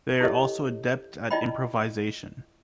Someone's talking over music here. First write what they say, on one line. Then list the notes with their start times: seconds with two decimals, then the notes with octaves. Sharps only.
They are also adept at improvisation.
0.20 E4 G4 A4 C#5 D#5
1.31 E4 F4 D5 D#5 G5 B5